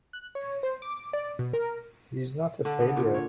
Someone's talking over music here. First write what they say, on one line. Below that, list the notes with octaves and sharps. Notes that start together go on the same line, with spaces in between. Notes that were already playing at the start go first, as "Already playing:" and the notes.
He's not a failure!
F#6
C#5
C5
D6
D5
B2
A#4
D3
B3
A#2
C#5